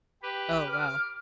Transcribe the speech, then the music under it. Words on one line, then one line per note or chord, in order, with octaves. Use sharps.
Oh, wow.
G4 B4
D6 F6